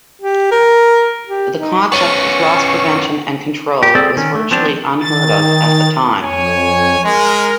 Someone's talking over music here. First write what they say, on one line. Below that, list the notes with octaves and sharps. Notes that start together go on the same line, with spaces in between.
The concept of loss prevention and control was virtually unheard of at the time.
G4
A#4
G4
D#4
B3 C#4 C#6
G4
C4 G#4 A4 D5 E6
D#3 C#4
A3
F3 B3 C4 D4
D#3 A6
F2 C#5 G#5
G#3 A#4